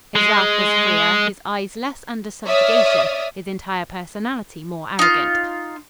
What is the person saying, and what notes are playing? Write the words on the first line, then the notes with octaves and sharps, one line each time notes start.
His laugh was freer, his eyes less under subjugation, his entire personality more arrogant.
G#3
C#5 D5 E5 D#6 F6
D#4 F4